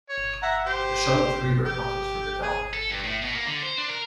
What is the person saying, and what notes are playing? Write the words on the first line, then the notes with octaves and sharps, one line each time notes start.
The Shallotte River passes through the town.
C#5
E5 F#5 A#5
G4 C5
G4
G#4
A4
G2
A2
B2
A#3
D3
C5
D4
A#4